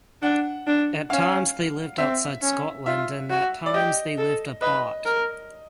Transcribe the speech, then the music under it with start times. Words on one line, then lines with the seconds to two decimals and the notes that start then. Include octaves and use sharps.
At times they lived outside Scotland and at times they lived apart.
0.22 D4 F#5
0.67 D4
1.10 C#4 F5
1.98 C4 E5
2.42 C#4
2.86 F4 E5
3.30 F#4
3.66 D5
3.74 G4 D#5
4.18 A4
4.61 B4 D#5
5.05 A#4